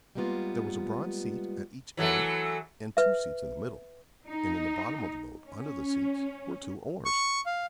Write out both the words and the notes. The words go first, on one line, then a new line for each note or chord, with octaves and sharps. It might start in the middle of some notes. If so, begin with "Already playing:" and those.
There was a broad seat at each end and two seats in the middle, and in the bottom of the boat, under the seats, were two oars.
G3 G#3 A#3 B3 F4
E3 F#3 A3
B4 E5
D#4
C#4
C#6
F5